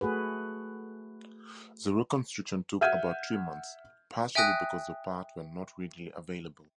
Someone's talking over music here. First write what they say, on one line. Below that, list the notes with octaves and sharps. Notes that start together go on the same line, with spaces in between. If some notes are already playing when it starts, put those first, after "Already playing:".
The reconstruction took about three months, partially because the parts were not readily available.
A3 F#4 G#4 B4
E5 F#5 F6 G6 G#6 D#7
E5 G5 G#5 D#6 F#6 A#6